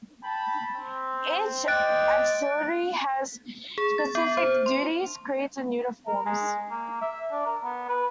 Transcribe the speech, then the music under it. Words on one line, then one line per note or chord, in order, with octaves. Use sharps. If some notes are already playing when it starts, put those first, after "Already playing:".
Each auxiliary has specific duties, creeds and uniforms.
G5 A5 B5
C4
C5 D5 D#5 G5 F#6 A6 D7
G#4
A6
B3
C5
C6
A#4
G#3
A#3
E5
D4
A#4
B3
B4